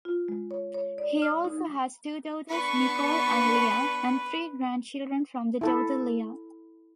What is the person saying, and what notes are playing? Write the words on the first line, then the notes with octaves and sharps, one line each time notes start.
He also has two daughters, Nikol and Lea, and three grandchildren from daughter Lea.
F4
G#3
C#5
C#5
D5
F6
D#4
B3 D4 B4 C#6
E4 A4